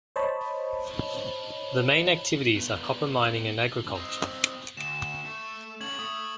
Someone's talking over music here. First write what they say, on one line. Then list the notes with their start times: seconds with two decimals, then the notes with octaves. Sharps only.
The main activities are copper mining and agriculture.
0.16 C5 C#5 D#5 A5 B5
2.56 B3 D4
3.95 C4 D#5
4.77 D2 E7
5.25 A3
5.81 C#4 A4 G#6 F#7
5.99 A3 D#6